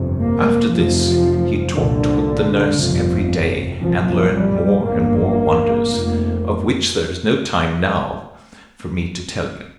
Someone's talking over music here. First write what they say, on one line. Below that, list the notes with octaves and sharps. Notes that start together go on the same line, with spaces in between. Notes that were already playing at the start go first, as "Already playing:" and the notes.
After this he talked with the nurse every day, and learned more and more wonders, of which there is no time now for me to tell you.
Already playing: G1 F2 C3
A#3
F1 F2 C3 F3
C2 A#2 D3
G1 F2 C3 F3
C2 A#2 F3
G3
G1 G2 A#3
F1 F2